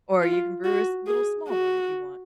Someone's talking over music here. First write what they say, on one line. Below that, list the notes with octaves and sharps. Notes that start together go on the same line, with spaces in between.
or you can brew a s little small one, if you want.
F4
F#4
G#4
F#4